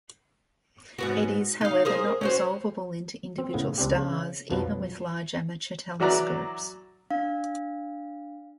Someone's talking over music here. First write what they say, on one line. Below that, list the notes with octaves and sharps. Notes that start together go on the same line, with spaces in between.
It is, however, not resolvable into individual stars even with larger amateur telescopes.
G#2 B3 F#4
D#4 F5
G#4 A#4 C5
C#4 F#4 C5
C4
A2 C#3 B3
C#2 C4 D4 G4
C#3
B1 F2 B2 F3 F#3 B4
E3 F#3 F#4 D5 A#5 F#6
D4 F5